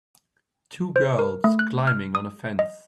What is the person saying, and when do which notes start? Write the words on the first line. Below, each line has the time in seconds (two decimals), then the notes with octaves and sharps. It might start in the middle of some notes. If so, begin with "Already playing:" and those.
Two girls climbing on a fence.
0.96 C5
1.19 A#4
1.44 A3
1.59 F#6
1.87 F6
2.15 D#6
2.59 D#5